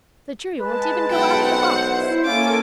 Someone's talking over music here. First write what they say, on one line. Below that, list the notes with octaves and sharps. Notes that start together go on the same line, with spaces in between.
"The jury won't even go out of the box."
G#3 B4 A5
B1 F#5 G5
C5 F#5 C#7
E4 C5
A#3 C#4 F4 A4 G#5 D6